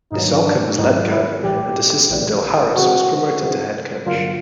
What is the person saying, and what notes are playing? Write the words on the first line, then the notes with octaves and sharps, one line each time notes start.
Nissalke was let go, and assistant Del Harris was promoted to head coach.
G#2 D#3 F#3 D#4
D4
G#2 D#3 F#3 D#4
E4
A1 A2 E3 G3 G4
A1 A2 E3 G3
C#3 E3 G#3 C4 F#4
C#3 E3 G#3 C4
G2 D3 F#3 A#3 F4